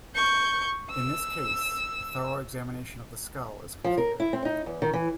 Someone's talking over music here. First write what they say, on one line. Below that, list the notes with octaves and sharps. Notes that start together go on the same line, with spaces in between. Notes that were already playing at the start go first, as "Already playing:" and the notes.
In this case, a thorough examination of the skull is completed.
C#6 G6
E6
F3
A#4
E4
C4
D#4
E2
D#3
E3